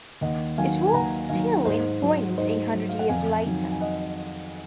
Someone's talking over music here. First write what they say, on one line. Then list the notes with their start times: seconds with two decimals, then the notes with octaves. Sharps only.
It was still in print a hundred years later.
0.21 D#2 D#5 F#5
0.58 D#3 F#3 F5 G#5
0.87 G#5
0.94 D#2 F#5 A#5
1.29 D#3 F#3 F5 G#5
1.65 G#2 C5 D#5
2.02 F#3
2.37 G#2 C5 D#5
2.73 F#3
2.89 F5
2.99 F#5
3.09 F2 F5 G#5
3.45 D#3 F#3
3.72 G#5
3.81 D#5 F#5